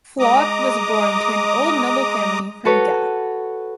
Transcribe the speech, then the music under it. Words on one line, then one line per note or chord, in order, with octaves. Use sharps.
Flotte was born to an old noble family from Gap.
G#3 D#5 A#5 D6 D#6
F#4 A4 B4 C#5